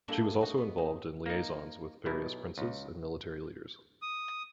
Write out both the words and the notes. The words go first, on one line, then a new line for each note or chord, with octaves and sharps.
She was also involved in liaisons with various princes and military leaders.
G3 G#3 A#3 D4 E4 A4
D#4 F#4
B3
D#4
A#3 D#4
B1 B2 E4
C#2
D#6